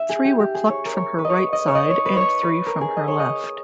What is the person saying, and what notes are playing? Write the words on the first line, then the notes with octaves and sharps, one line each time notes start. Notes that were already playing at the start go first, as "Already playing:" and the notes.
Three were plucked from her right side and three from her left.
Already playing: E5
G#4
G4
G4
G#4
C#5
A#4
C#5
B4
D#5
C#5
D#5
C#5
D#5
C#5
B4
B4 C#5
B4
A#4
G#4
D#5
C#5
D#5